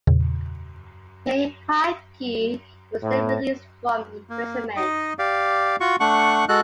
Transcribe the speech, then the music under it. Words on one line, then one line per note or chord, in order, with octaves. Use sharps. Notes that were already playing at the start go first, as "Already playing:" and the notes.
Bayhaqi was then released from imprisonment.
E2 A#2 C#3
A2
A#3
D#4 D#5
G4 D5 F5
F4 F#4 C#6
A3 D4 F#5 C#6
G#3 F#4 A4 F#6